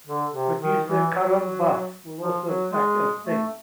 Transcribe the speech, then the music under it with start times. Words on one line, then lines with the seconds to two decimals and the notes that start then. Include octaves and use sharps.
Producer Karam Batth will also act as Singh.
0.07 D3
0.34 C3
0.60 D#3
0.87 E3
1.13 F#3
2.19 F3
2.46 F#3
2.73 G#3
3.25 A3